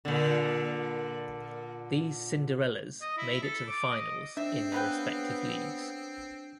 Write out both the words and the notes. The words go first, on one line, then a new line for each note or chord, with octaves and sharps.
These Cinderellas made it to the finals in their respective leagues.
A#2 D3
D#5
E4
A4
D6
D#5
C4 D4 E5
C#3 B3 B4 G5